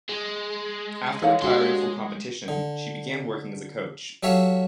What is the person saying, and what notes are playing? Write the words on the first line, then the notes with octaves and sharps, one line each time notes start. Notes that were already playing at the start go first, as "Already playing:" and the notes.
After retiring from competition, she began working as a coach.
G#3
A4 C#5 F5 F#5
G#3 D4 F#4 G4 C6
D3
F#3 G4 A4 C#5 E5 F5